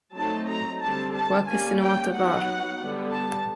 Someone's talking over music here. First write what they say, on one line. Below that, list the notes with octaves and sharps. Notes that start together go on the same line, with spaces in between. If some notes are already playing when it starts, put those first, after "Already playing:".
Quercus sinuata var.
F#3 A3 C4 D#4 A5
A#5
D3 G3 C4 A5
A5
G3 A#3 C#4 G#5
G5
F#3 B3 D#4 F#5
D3 G3 B3
A5